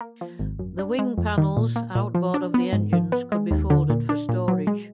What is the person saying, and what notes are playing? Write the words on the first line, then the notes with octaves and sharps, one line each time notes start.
The wing panels outboard of the engines could be folded for storage.
A#3
F3
G#1
F#2
D4
G#3
F2
D#3
A#2
A#3
A#2
F3
D4
B3
G#2
F3
B3
G#3
D#2
D3
A#2
D4
A#2
F#3
G#3